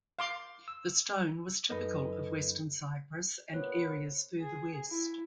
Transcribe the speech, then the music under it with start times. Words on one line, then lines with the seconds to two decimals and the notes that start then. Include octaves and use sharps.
The stone was typical of western Cyprus and areas further west.
0.19 F5 C6 D6
0.68 E6
1.70 F#2 D#4 A4 B4 D#5 B5
3.52 A#2 A#3 B3 C5 C#5 F#6
4.40 G#4
4.89 E4